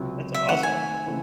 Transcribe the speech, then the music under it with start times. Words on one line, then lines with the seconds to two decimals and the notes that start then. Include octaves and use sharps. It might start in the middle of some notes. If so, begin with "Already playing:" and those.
That's awesome.
Already playing: C#2 C3 F#3
0.34 E5
0.49 D#3 A3 C4 F#5
0.63 G#5
1.07 C#3 E3 A3 C4